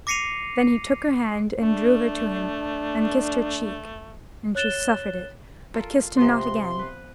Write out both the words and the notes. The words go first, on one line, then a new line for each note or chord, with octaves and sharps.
Then he took her hand and drew her to him, and kissed her cheek, and she suffered it, but kissed him not again.
D6 A#6 C7 C#7 D#7 F7
A3 D4
C#5 F#6 A6 E7 G7
F4 A4 A#4
C3 F3 B3 C6
B4